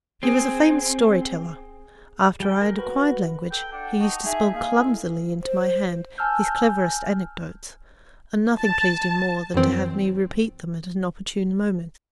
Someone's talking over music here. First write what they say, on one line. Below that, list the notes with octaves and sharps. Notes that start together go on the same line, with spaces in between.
He was a famous story-teller; after I had acquired language he used to spell clumsily into my hand his cleverest anecdotes, and nothing pleased him more than to have me repeat them at an opportune moment.
C4 G#4
G3 G#4 G5
A#4
F#4 B4
A4 G5
D4 F#5 G5
D#4 D#5 A5 C#6
D#4 G#4 D#5 E5
A#3 G#4 F5
E4 A4
C5
G#5 A5 E6 F6 G6
A5
F#2 E3 C4